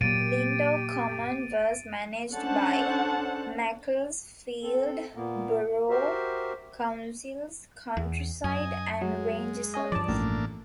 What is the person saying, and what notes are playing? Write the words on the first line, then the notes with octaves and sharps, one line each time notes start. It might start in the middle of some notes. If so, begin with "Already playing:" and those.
Lindow Common was managed by Macclesfield Borough Council's Countryside and Ranger Service.
A#2 F#3 A#3 G4 A6 D7 D#7
C#4 D4 A4 C5 F#5 A5
C4 A4
A#2 A#3 B3
F#4 G4 A#4 C5 E5
E2
F#2 D#5 G#5
F#3 G#3
C#4 G#4 D#5
G2 F3 D5 A5
A1 A3 A#3 D4